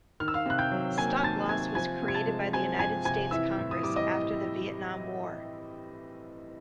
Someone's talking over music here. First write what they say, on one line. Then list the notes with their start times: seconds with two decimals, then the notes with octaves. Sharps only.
Stop-loss was created by the United States Congress after the Vietnam War.
0.20 D#3 F6
0.28 E6
0.34 F5 F6
0.46 C3 F#6
0.58 G5 G6
0.71 F#3
0.98 A#3 G#5 G#6
1.23 D#3 A5 A6
1.49 C3 G#5 G#6
1.75 F3 G#5 G#6
2.02 C3
2.08 G#6
2.15 A5 A6
2.27 G#3
2.53 C4 G#5 G#6
2.79 F3 G#5 G#6
3.05 C3 G#5 G#6
3.31 E3 E5 E6
3.58 A2
3.71 D#6
3.83 G3 D6
3.96 D#5 D#6